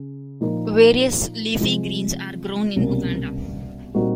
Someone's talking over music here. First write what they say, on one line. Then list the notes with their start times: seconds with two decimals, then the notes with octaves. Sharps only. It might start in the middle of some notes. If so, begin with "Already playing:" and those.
Various leafy greens are grown in Uganda.
Already playing: C#3
0.40 A#2 F3 A#3 D#4
1.59 C3 F3 G#3
2.76 C2 B2 G3 A#3 C#4
3.94 A#2 G3 C4 D#4 F#4